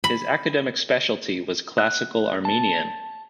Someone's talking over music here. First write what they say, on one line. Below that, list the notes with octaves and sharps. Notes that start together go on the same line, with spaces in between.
His academic specialty was Classical Armenian.
B5
F#6
A5